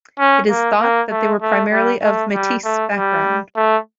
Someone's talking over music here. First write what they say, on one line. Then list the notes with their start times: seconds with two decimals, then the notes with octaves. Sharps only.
It is thought that they were primarily of Metis background.
0.19 C#4
0.49 A#3
0.80 A#3
1.11 A3
1.42 A3
1.72 G3
2.03 A3
2.33 G3
2.64 A3
2.95 G3
3.56 A3